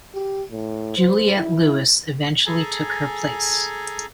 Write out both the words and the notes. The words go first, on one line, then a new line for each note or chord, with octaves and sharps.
Juliette Lewis eventually took her place.
G4
A2
C5
E4
G#4 A4 G#5 A#5